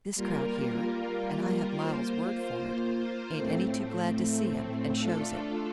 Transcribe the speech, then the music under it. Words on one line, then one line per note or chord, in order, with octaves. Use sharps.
This crowd here--and I have Miles' word for it--ain't any too glad to see him, and shows it.
G3 A#3 F4 A#4
A#3 F4 C5
A2 A3 C4
A3 D4 F4 A4